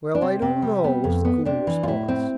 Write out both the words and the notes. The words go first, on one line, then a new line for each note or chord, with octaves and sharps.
"Well, I don't know," was the cool response.
D4
C3 C4
C3
G3
B3
F2
B3
C3 D4
E3
F4
A2 E4
C4